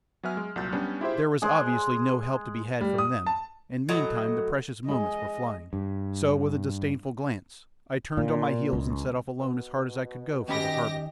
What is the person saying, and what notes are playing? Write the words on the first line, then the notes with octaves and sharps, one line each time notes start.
There was obviously no help to be had from them, and meantime the precious moments were flying, so with a disdainful glance I turned on my heels and set off alone as hard as I could go for the harbour.
F#3 B3 B4 E5 G#5 F6
G#3
C2 A#2 F#3 G6 A6
G3 B3 C#4 D4
E4 F4 G4 G#4 C5 E5
G#3 G#4
G3
D#6
A5
A2 F#3 D#5 A#5
G#3 G#4 D#5
G2
A#2
C#2
B2
D#2 C#4 G4 D#5 B5 A#6